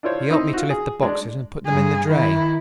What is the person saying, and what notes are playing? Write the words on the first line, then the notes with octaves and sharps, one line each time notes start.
He 'elped me to lift the boxes and put them in the dray.
D4 E4 F4 C5 C#5
C4 D#4 E4
F4 F#4
G#4
G#3 D4
G2 G#4
D#3 E4